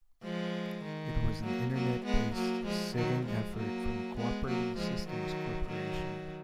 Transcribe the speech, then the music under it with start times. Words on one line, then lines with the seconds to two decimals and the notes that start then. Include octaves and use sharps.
It was an internet-based sieving effort from Cooperating Systems Corporation.
0.23 F3 G#3
0.84 D#3
1.44 F#3 A#3
1.74 F#3 A#3
2.05 G#3 B3
2.35 F#3 A#3
2.65 F3 G#3
2.95 D#3 F#3
3.26 F3 G#3
3.57 F#3 A#3
4.17 G#3 B3
4.47 F#3 A#3
4.78 F3 G#3
5.08 D#3 F#3
5.68 D#3 F#3